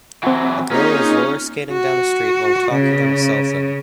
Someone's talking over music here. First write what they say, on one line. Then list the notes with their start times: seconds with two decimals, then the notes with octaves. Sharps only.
A girl is rollerskating down a street while talking on a cellphone.
0.23 E3 F#3 C4 F#5
0.71 A#3 C#4 D#4 F4 G#4
1.72 F#4
2.73 C#3